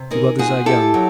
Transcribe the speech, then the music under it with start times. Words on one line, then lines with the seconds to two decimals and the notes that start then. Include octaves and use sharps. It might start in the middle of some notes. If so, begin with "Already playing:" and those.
You others are young.
Already playing: C3
0.11 D#4 G#4 A#4
0.39 F3 F#4 G#4
0.66 E4 G4 A4
0.94 F#3